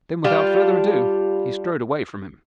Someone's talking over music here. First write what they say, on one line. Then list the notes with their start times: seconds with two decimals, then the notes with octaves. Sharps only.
Then, without further ado, he strode away from him.
0.24 G3 D4 F4